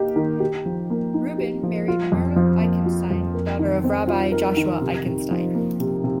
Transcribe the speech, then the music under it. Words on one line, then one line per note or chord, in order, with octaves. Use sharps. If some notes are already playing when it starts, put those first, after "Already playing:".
Rubin married Mirl Eichenstein, daughter of Rabbi Joshua Eichenstein.
Already playing: D#3 A#3 D#4 G4
D#3
G4
F3
A#3
D#4
G4
F3
F4
F2
F3
A#3
F4
F2
A#4
D#3
C4
F4
A#4
D#3
C3
C3
F3
A#3
C3
C3